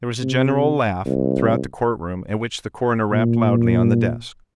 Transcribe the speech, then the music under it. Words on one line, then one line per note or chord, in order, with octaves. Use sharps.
There was a general laugh throughout the courtroom, at which the coroner rapped loudly on the desk.
C3
C2
A#2